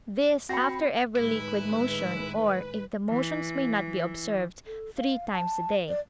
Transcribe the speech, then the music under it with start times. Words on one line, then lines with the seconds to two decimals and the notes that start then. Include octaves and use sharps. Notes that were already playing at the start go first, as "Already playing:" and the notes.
This after every liquid motion, or, if the motions may not be observed, three times a day.
0.49 C4 F#4 B5 A#6 C#7
1.16 A2 D#3 G#3 E4 B4
3.10 E3
4.67 A4
4.97 F5
5.33 A5
5.88 D5